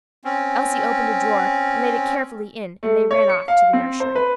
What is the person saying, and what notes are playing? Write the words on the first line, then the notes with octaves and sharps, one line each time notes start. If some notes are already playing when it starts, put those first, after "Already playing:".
Elsie opened a drawer and laid it carefully in, and they ran off to the nursery.
C4 C#4
A3
C#5
C#7
F5
C4
C5
B4